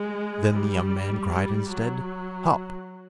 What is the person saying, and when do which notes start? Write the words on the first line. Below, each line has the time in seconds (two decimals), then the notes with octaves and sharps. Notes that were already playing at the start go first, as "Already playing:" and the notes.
Then the young man cried instead, 'Hop!
Already playing: G#3
0.53 G3
1.30 G3
1.69 F#3